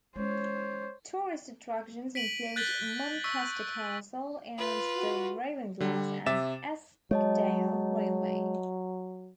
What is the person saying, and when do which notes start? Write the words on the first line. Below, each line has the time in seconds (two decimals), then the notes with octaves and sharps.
Tourist attractions include Muncaster Castle and the Ravenglass and Eskdale Railway.
0.16 G#3 C#4 C5 C#5
2.15 B6 D7 D#7 F#7
2.56 F#6 G6 A6 B6 F#7 G7
3.24 C#6 E6 B6
4.57 F4 B4
4.97 F#4
5.80 D3 G3
6.26 C3 E5 D6 A6 E7
7.11 F#3 G#3 C#5 D#5 A5